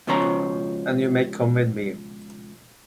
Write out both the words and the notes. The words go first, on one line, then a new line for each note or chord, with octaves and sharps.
And you may come with me.
C#2 B2 F3 C#4 C5 A#5